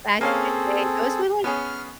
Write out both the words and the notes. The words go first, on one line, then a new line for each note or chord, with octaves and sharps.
back in the day, those were like
A#3 C4 C#4 G#4 A4 F5
B3 C#4 G#4 F6